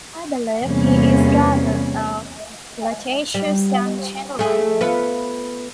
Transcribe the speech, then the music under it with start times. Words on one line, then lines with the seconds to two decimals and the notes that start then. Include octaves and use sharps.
I believe he is rather a flirtatious young gentleman.
0.65 E2 C3 G3 A#3 C#4
3.35 G3
4.39 A3 G#4
4.81 B3 F4 B4